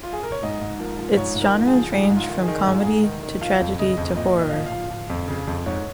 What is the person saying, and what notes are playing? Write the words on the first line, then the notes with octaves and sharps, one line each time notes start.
Its genres range from comedy to tragedy to horror.
F4
G#4
A#4
C#5
G#2 D#5
G#2
F3 A#4
F3
G#2 C#5
G#2
A#4
F3
G#4
F3
G#2 G#4
G#2
F4
D#3
G#4
D#3
G#2 G#4
F4
G#2 G#4
D#3
D#3
F3 F5
F2
C#3 D#5
F2
A#2 D#5
A#2
D#5
F5
F3 D#5
F5
F3
F3
F2
C#3
F2
G#2 C#5